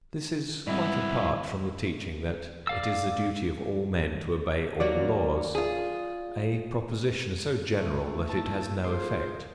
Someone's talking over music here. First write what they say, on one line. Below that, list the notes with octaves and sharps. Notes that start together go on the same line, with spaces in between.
This is quite apart from the teaching that it is the duty of all men to obey all laws, a proposition so general that it has no effect.
G#2 G3 G#3 B3 C4 E4
D5 F5 E6
F#3 A#3 D5
F4 G#4
A3
A#3 D#4 E4 A5 E6
F4 G#4 C5